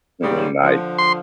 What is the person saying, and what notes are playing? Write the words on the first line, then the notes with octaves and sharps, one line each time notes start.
Mhm, ni
G#2 C#3 G3
D3 F3
C6